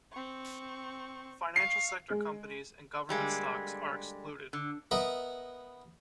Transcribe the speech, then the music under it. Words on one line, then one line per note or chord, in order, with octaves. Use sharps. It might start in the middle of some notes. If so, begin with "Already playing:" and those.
Financial sector companies and government stocks are excluded.
C4 C#6
F5 C#6 C7
G#3
D3 G3 G#3 A#3
D3
B3 A#4 B4 D#5 E5 B5